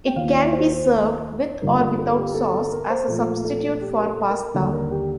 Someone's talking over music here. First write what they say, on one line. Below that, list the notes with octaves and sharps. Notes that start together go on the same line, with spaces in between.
It can be served with or without sauce, as a substitute for pasta.
G5
D#2 D#3 A#3 F4 F5
D5
C5
C5
G2 D3 G3 A#3 F4 A#4
A#4
A4
G4
A4
A4
A#4
C5
A#2 F3 A3 A4
A4
G4
A#4
A4
A#4
D#2 D3 G3 A4
A#4
G4